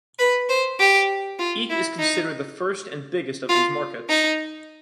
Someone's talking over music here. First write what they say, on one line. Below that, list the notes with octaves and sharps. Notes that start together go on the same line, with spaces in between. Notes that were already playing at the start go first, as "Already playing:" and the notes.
Eke is considered the first and biggest of these markets.
B4
C5
G4
F4
E4
D#4
F4
D#4